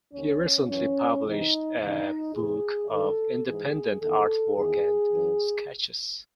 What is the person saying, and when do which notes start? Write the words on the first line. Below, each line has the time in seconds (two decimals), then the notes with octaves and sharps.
He recently published a book of independent artwork and sketches.
0.13 D#2 D#3 C#4
0.68 F#2 E3 C#4
1.24 E2 C3 E3 D#4
1.79 D#2 C#3 E3 D#4
2.34 E2 C3 E3 G#4
2.90 G#2 D#3 A4
3.45 G#2 E3 G#4
4.00 E2 D#3 A4
4.56 E2 D#3 G#4
5.11 F#2 E3